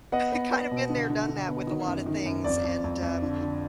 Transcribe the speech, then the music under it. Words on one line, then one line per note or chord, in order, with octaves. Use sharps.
I kinda been there done that with a lotta things and, um,
B3 D#5 F#5
B3
B3
B2
D3
D3
D3
B3
D#3
F#2
D#3
F#2
F2 D5
F2
F2
F2
D3
D3